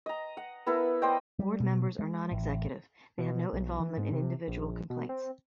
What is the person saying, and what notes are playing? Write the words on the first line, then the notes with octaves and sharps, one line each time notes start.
Board members are non-executive - they have no involvement in individual complaints.
D#5 A#5
F#5
B3 E4 A4 A#4
C5 D5 D#5 G5
G3
B2
G#3
A1
B2
B1
E3
G#2
C3
A#1
B2
C4